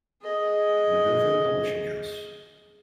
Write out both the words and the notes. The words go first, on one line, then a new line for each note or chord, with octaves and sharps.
Minerva Publishing House.
G#4 D#5